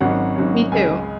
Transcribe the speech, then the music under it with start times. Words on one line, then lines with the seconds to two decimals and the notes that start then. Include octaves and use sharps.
Me too.
0.01 G#1 G#2 F#3 C#4 F#5
0.36 G#1 G#2 F#3 C#4
0.72 C#2 C#3 G#3 G#5